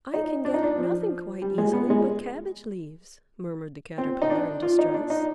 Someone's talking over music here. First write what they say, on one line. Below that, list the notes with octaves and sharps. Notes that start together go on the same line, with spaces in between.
"I can get at nothing quite easily but cabbage-leaves," murmured the Caterpillar, in distress.
D#4
D4
D#4
D4
F3
G3
G#3
B3
G#3
C4
D#4
D4
F4
D#4
D4
D#4